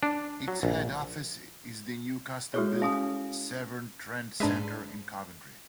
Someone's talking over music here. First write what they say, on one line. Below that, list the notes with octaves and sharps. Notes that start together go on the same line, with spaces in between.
Its head office is the new custom-built "Severn Trent Centre" in Coventry.
D4
F#3
A#1
G#3 E4 F#4 G#4 A4 C#5
C#4 F5 G#5 D#6
G#2 G#3 D4 B4 E5